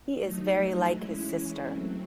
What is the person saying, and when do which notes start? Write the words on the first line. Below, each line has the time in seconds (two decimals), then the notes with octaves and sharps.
He is very like his sister.
0.17 F#3 A3 D#4
0.93 E3 G#3 C#4 E4
1.69 F#3 A3 C4